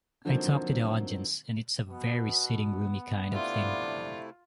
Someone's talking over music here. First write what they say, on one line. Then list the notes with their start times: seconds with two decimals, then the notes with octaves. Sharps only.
I talk to the audience and it's a very sitting-roomy kind of thing.
0.25 D3 F3 F#3 A#3 C4 D#4
1.89 B2 B3
3.33 C3 A3 D4 E4 F4